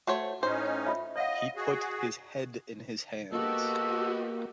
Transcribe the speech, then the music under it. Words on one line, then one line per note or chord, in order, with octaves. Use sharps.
He put his head in his hands.
A3 F#4 C5 C#5 F#5
A2 C#4 D#4 C5
F4 E5
C#5 D#5 F5 F#5
F#4 G#4
A#3 B3 F#4 G4 A4 D#5